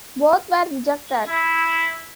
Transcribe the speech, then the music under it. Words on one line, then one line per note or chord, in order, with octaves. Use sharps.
Both were rejected.
E4